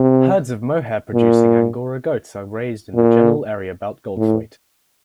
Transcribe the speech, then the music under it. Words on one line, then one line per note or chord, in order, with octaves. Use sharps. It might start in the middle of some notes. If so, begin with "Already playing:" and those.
Herds of mohair-producing Angora goats are raised in the general area about Goldthwaite.
Already playing: C3
A#2
A#2
A2